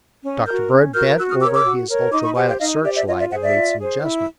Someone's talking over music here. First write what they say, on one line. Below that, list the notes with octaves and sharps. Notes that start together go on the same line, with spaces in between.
Dr. Bird bent over his ultra-violet search-light and made some adjustments.
C#4
F#4 A#4 F6 G6
C#4
F#4 A#4 F6 G6
F#4 E6 F#6
D#6 F6
A#4 C#5 D6 E6
D6 E6
F#4
A#4 C#5
D#4 C6 D6
B5 C#6
G4 C5 F#5 G#5
F5 G5
D#4 D#5 F5
G4 C5 D5 E5
D5 E5
F4 C#5 D#5
D5 E5
G#4 C5 E5 F#5
D5 E5
F4
G#4 C5
E4